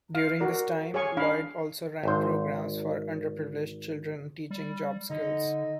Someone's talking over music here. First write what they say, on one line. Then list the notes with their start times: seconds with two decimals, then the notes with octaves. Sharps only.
During this time, Lloyd also ran programs for underprivileged children teaching job skills.
0.15 F5
0.40 F#4 A#4 D5
0.94 G#4 C#5 F5 G#5 C#6
1.17 D4 F5 B5
2.04 G#1 C5
4.50 G3
5.10 D3 D#4